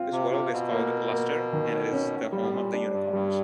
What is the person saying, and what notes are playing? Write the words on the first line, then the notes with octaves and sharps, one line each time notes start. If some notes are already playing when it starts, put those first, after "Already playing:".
This world is called Luster and it is the home of the unicorns.
Already playing: C4 F4
C3
C3 F4
B2
A#3
A#3
D#3
C#4
G3
A2
A#2
D4
G2
G2 G3